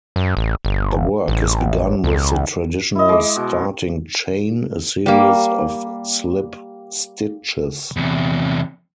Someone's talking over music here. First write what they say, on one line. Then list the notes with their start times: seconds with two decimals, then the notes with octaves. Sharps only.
The work is begun with the traditional starting chain, a series of slip stitches.
0.16 F#2
0.37 A1
0.65 G1
1.28 A1
2.04 C#2
2.95 E4 D#5
3.09 G#3 D6
3.36 B2
5.06 G3 A#3
7.97 E2 C3